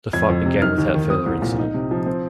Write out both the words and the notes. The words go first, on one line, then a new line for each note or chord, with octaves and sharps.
The fight began without further incident.
F2 G#6
F2
C3
D#4 F6
D#2
D#3
C4 D#6
C2
A#2
D#4
C3
F3
C4